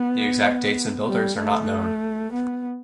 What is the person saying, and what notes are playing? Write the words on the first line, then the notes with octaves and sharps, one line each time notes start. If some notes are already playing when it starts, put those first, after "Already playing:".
The exact dates and builders are not known.
Already playing: B3
G3
A3
B3